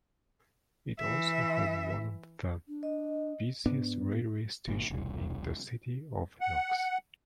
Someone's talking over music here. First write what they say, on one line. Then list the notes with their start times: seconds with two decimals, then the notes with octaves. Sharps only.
It also has one of the busiest railway stations in the City of Knox.
0.99 E3 E5
2.68 D4
2.83 D#5
3.66 G#2 B3 D4
4.67 G1 A#2
4.90 E1 C2
6.41 F#5